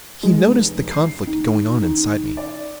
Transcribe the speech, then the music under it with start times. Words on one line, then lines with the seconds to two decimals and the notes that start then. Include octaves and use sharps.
He noticed the conflict going on inside me.
0.23 G#3
0.47 F1
0.91 C7
1.27 D#3
1.81 D#3
2.37 D5